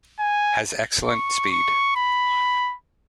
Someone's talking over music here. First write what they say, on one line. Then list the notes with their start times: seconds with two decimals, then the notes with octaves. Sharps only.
Has excellent speed.
0.19 G#5
1.07 C#6
1.51 C#6
1.96 B5